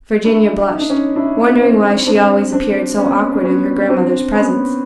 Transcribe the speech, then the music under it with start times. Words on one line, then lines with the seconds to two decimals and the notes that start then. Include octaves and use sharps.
Virginia blushed, wondering why she always appeared so awkward in her grandmother's presence.
0.24 D4 E4
0.70 D#4
0.80 D4
0.90 C#4 D#4
1.16 D4 E4
1.61 C4 D4
2.07 C4 D4
2.52 C4 D4
2.98 B3 C#4
3.32 D4
3.43 B3 C#4
3.89 C4 D4
4.34 B3 C#4